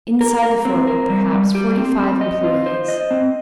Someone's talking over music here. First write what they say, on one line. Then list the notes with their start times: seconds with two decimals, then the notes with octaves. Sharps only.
Inside the fort were perhaps forty-five employees.
0.21 A#4
0.43 A#4
0.65 C4
0.87 A#4
1.10 G3
1.33 G3
1.55 G4
1.77 C4
2.00 C4
2.21 D#5
2.44 F4
2.66 C5
2.88 D#5
3.11 C4